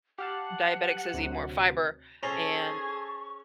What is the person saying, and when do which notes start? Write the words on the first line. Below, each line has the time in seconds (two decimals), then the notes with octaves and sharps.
diabetics says eat more fiber, and
0.18 G4 F5 F#5 A5
1.14 D2 C3 F#3
2.23 C#4 G#4 A4 C5 A#5 C#6